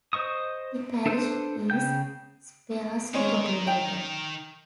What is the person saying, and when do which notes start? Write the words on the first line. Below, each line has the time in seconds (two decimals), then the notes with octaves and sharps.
The parish is sparsely populated.
0.13 C5 D#5 C#6 D#6
1.06 D4 A4 B4 C5 C6
1.70 C#3 G5 G6
3.14 D#3 G#3 A#4 C#5
3.67 G5